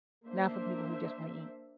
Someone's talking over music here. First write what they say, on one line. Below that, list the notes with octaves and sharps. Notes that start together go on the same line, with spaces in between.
not for people who just wanna eat.
A#3 D4 C5 E5